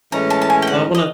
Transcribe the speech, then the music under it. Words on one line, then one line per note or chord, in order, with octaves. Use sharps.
Well, I wanna
A2 E3 G#3 C#4 A#5
A5
A5
G#5
G5
F#5
D#5